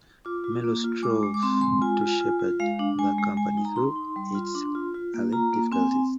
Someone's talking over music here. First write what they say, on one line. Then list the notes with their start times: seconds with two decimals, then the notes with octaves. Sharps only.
Merlo strove to shepherd the company through its early difficulties.
0.25 F4 D6
0.44 F4
0.64 A#3
0.84 F4
1.03 G#3 D6
1.23 G#3
1.34 D6
1.42 C4 C6
1.61 G#3 C6
1.81 F4 G#5
2.01 F4
2.20 F4
2.39 F4
2.60 G#3 F5
2.79 D4
2.99 G#3 G#5
3.18 G#3
3.37 G#3 G#5
3.57 D#4
3.65 A#5
3.76 D#4 C6
3.96 D#4
4.16 G3
4.35 F4
4.55 D4
4.75 F4
4.94 F4
5.14 A#3
5.33 F4 A#5
5.53 A#3
5.72 C4 G#5
5.92 C4